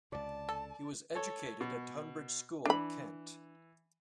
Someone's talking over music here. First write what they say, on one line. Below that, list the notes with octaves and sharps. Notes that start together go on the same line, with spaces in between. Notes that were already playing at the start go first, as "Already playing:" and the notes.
He was educated at Tonbridge School, Kent.
C#2 C3 D5 A5
A4
A4 C#5
B2
E3 D4 B5